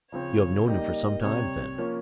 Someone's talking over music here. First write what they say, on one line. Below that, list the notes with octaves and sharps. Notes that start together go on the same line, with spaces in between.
"You have known him for some time, then?"
C#3 F3 C4 C#5
G3 A#3 D#4 G4 D#5
C3 G3 C4 C#5
F3 A#3 C#4 F4